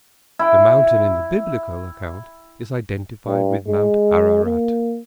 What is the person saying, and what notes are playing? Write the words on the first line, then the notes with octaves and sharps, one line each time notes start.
The mountain in the Biblical account is identified with Mount Ararat.
E4 G5
G2
G#3
A#3